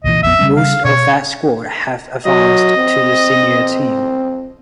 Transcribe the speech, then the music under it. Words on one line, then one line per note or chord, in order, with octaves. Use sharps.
Most of that squad have advanced to the Senior Team.
C2 A#2 E3 D#5
A#1 F2 B3 E5
C#3 G3 C#4
F5
B2 C#5
F#3 D#5
C4